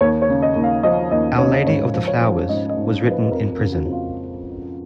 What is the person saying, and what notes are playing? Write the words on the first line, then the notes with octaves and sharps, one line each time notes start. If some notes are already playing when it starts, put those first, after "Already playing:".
"Our Lady of the Flowers" was written in prison.
D#2 C#5
C#5
C#3
D#5
D#2
F5
F3 D#5
D#2 D#5
C#3 C#5
G#2 C#5
F3
C#5
F3
G#2 D#5
D#5
G#2
F3
B4
B4
F2 A#4
A#4
C#3
F#4
F2
F4